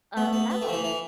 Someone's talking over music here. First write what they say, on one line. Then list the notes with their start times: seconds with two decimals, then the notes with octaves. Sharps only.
uh, level.
0.17 A3 B3
0.33 B3
0.50 B3
0.62 A3
0.69 F3
0.73 E3
0.84 E3